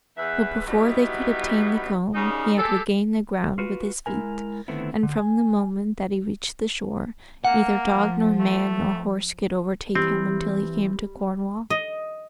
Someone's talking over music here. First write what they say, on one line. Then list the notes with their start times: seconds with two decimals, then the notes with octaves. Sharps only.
But, before they could obtain the comb, he had regained the ground with his feet, and from the moment that he reached the shore, neither dog nor man nor horse could overtake him until he came to Cornwall.
0.17 E2 B4 E5
0.67 F#3 G3 B3 D#4 E4 F#4
2.14 F#2 C#3 G3 D#4
2.58 G#3 G4 A4
3.58 F4 F#4 B4
4.06 G#3 E4 A#4 G#5
4.68 D3 D#3 A3 B3 C4 E4
5.03 D3
5.18 G#5
7.45 A#3 F#5
7.85 F3
8.39 A3
9.95 E3 G3 C4
11.70 D#5